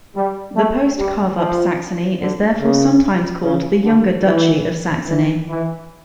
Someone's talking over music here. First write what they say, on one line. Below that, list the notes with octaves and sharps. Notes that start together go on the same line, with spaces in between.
The post carve-up Saxony is therefore sometimes called the "younger Duchy of Saxony".
G3
A3
G3
F3
D3
C#3
C#3
D3
E3
E3
E3